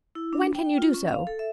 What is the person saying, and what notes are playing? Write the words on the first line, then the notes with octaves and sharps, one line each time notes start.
"When can you do so?"
E4
D4
G5
F4
C#4
F5
A4
E5